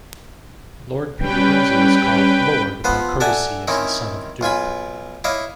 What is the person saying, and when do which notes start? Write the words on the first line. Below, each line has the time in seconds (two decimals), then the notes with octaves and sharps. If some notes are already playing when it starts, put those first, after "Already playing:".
Lord Peter Wimsey is called "Lord" by courtesy as the son of a Duke.
1.19 G3 C#4 B4 G5
2.84 F3 B3 B4 C5
3.20 A4 D5 E5 F#5 G#5
3.67 D#3 C4 C#4 D#4 E4
4.41 B1 F4 G#5 B5
5.24 E4 C#5 D#5 F5 D6